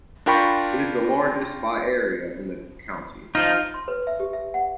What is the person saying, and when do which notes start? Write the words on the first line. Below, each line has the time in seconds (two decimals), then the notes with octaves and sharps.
It is the largest by area in the county.
0.26 D4 F4 A#4 G5 B5 C#6
3.35 F3 D#4 F4
3.74 C6
3.88 B4
4.07 E5
4.20 G4
4.33 E5
4.54 F#5